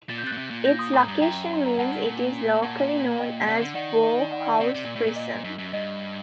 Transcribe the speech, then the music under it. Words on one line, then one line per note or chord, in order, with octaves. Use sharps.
Its location means it is locally known as "Bowhouse Prison".
A#2 A6
G6
C3 F#6 A6
A#2
C3
A#2
G6 A#6
C6 D#6
A2 A#5 D6
G2
F#2 G5 A#5
C6
A#5
G2 F#5 A5
A#2
A#2 F#5 A5
D#5 G5
C3 D5 F#5
D3
D#3 D5 F#5
D#5
D5
D5 F#5
G5
D5 F#5
C3 D5
C3
A#2
A2
A#2
D#5
F#2
F#2
G2 D#5